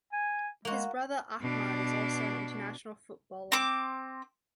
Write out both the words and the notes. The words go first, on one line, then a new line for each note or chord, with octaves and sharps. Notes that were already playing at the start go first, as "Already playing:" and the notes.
His brother Ahmad is also an international footballer.
G#5
G#3 A#3 F#4
B2 D4
C4 D6